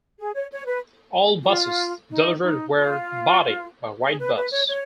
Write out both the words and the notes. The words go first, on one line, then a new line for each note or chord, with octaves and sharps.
All buses delivered were bodied by Wrightbus.
G#4
C#5
C#5
B4
F#4
F4
D#4
D#4
F4
G#4
B4
B4
C#5
C#5